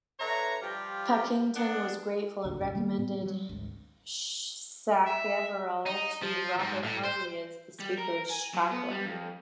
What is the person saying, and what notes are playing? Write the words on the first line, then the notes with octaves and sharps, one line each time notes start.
Pakington was grateful and recommended Sacheverell to Robert Harley as the Speaker's chaplain.
D3 B4 C#5 E5 A#5
F3 G3 F4 G4
B3 D4
A1 D#2 D3
C2 F#2 A2
D#3 G3 A#3 B3
A2 B3 C4
F#3 G3
G#1 D2
E5
D#4
F3
G#2
A2
C5
G3
A#4
G#5
F#3
B3
G3
F2